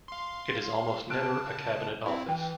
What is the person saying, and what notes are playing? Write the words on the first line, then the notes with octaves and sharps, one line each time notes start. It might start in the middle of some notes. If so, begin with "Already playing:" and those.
It is almost never a Cabinet office.
F5 C6
C#3 A5 F6 F#6 D7
C4 E4
E3 G5